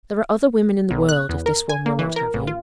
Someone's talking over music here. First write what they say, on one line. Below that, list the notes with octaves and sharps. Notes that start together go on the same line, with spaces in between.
'There are other women in the world, if this one will not have you.'
B1
F#6
E2
A#4
G#5
A#3
E3
A#4
A1
F4